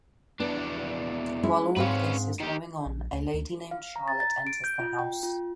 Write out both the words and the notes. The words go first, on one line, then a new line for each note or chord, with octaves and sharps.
While all of this is going on a lady named Charlotte enters the house.
E2 B3 D4
G#3 C#4 E4
G#2 C4 C#4 B4 F5
D#3 G4
A#1
D2
D2
F5
A#5
A6
A6
D7
G6
F4
G5
F4